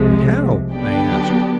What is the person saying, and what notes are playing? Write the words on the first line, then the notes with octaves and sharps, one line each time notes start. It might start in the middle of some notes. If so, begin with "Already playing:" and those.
"But how?" I asked.
Already playing: C2 C3 F3 G#3
D3 F#3 B3 D4 G4